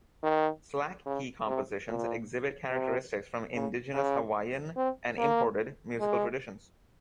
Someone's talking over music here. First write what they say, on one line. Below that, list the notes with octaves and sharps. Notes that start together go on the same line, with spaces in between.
Slack key compositions exhibit characteristics from indigenous Hawaiian and imported musical traditions.
D#3
C#3
C3
A#2
C3
C#3
C#3
C4
A#3
G#3